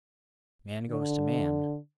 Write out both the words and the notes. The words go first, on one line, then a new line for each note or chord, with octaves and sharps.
Man goes to Man!
D3